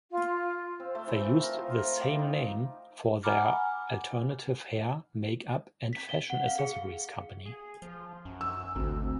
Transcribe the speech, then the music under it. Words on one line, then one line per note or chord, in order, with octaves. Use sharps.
They used the same name for their alternative hair, makeup and fashion accessories company.
F4
C4
A3
E3
F4
A#4
F3
F4
A3
G4
D#4
F#5 G#5 A#5 B5 D6 F6
B6
G7
F#5
F5
G#4
G#4
F3
F#2
E6
G#1 D2 C4